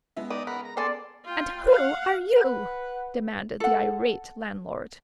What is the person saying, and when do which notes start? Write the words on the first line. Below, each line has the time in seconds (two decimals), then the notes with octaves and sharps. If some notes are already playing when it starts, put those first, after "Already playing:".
"And who are you?" demanded the irate landlord.
0.17 G#3 B3 E5
0.30 D#4 B4 D5 D#6
0.47 C#3 A#4 F#5 B5
0.65 A#5
0.77 B3 C#4 G#4 A4 D5 C6
1.25 F4 G5
1.69 F5 F#5
2.36 B4 F#5
3.60 A4 F#5